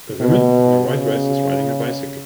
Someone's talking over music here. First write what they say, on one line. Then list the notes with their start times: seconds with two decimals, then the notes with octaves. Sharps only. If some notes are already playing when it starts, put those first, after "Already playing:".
A woman in a white dress is riding a bicycle.
0.20 B2
0.86 C#3